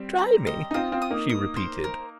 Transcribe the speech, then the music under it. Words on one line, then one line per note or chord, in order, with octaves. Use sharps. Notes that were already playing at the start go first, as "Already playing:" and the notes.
"Try me," she repeated.
Already playing: G3 C4
A#5
D#5
D#4
C4 F4 D#6
C4 F4
D#6
A#3 D#4
D#6
C5
A#4